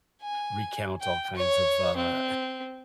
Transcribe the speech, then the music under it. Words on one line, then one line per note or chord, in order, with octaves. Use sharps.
recount all kinds of, uh,
G#5
G5
C#5
C4